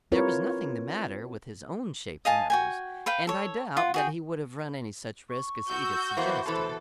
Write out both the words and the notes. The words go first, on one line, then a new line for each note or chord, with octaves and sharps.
There was nothing the matter with his own shapely nose, and I doubt that he would have run any such risk as Edith suggested.
C4 E4 F4 A#4 B4 C#5
D#5 F5 G#5 A5
F#4 G5 G#5
B4 F5 G5
A4 C#5
F4 F#5
F#4 G#4 G5
C#6
F#4 E6 G6
E3 A#3 B3 C5
B2 E3 A4